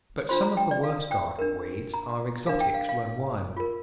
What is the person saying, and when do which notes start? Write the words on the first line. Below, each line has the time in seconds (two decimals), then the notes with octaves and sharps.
But some of the worst garden-weeds are exotics run wild.
0.29 D4 F4 C5 C6
0.43 A#5
0.57 G5
0.71 D5
0.83 F5
1.11 G5
1.39 D4 A#4
1.94 A#5
2.47 D4 A#4 F5
2.60 G5
2.74 F5
2.89 F5
3.57 F4 A#4